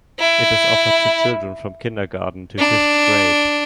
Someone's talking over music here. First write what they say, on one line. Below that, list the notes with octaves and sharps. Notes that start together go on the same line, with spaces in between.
It is offered to children from Kindergarten to Fifth grade.
E4
D4